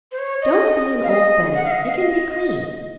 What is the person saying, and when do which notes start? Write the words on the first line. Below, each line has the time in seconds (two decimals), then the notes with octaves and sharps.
'Don't be an old Betty; it can be cleaned.
0.12 C5
0.19 C#5
0.42 D#5
1.03 F5
1.09 D#5
1.56 F#5
1.65 F5
1.71 D#5
1.86 F5
2.00 D#5